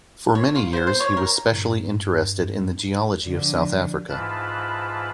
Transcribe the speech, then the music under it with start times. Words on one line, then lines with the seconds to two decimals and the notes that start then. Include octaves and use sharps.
For many years he was specially interested in the geology of South Africa.
0.35 C#5
0.55 F4
0.73 C5
0.87 C5
1.00 C#5
1.17 A#4
1.53 G2
3.24 D3 F3
4.09 G#2 E3 F4 A5 B5 F#6